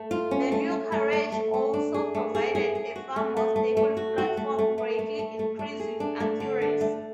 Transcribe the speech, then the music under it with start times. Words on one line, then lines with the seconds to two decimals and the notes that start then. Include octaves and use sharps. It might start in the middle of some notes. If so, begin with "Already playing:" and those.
The new carriage also provided a far more stable platform, greatly increasing accuracy.
Already playing: A3
0.11 F4
0.31 C#4
0.52 A3
0.71 A3
0.92 A3
1.13 A3
1.32 A3
1.54 A3
1.74 D4
1.94 G#4
2.15 A3
2.35 G#4
2.55 G#4
2.75 G#4
2.96 F#4
3.16 A3
3.37 A3
3.56 A3
3.77 A3
3.97 F#4
4.18 F#4
4.37 A3
4.58 A3
4.78 A3
4.99 A3
5.19 A3
5.39 A3
5.59 A3
5.80 G#4
6.00 D4
6.20 A3
6.40 D3
6.62 D4
6.81 A3